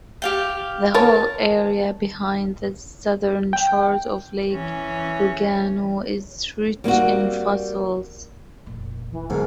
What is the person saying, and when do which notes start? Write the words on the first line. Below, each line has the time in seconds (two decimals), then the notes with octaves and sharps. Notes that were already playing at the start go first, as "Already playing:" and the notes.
The whole area behind the southern shores of Lake Lugano is rich in fossils.
0.22 G4 F5 G5
0.94 A#4 B4 C#5 A5
3.53 G5
4.52 E3 C#4
6.84 G3 A#3 C4 F#4
8.66 F1 A#2
9.12 E3
9.30 B1 G#2 D3 A#4